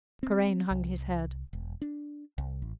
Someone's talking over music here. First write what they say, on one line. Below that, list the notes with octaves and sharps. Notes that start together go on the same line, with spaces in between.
Karain hung his head.
C4
C2
E1
D4
C2
A1